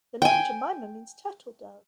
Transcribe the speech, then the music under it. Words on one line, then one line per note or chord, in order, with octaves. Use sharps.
The name Jemima means "turtledove".
G5 G#5